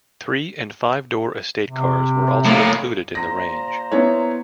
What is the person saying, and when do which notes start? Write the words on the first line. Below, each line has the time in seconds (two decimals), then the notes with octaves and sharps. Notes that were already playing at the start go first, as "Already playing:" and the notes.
Three- and five-door estate cars were also included in the range.
1.68 C3
2.45 A2 A#3
3.15 A#2 C5 A#5 A#6
3.91 B3 E4 C#5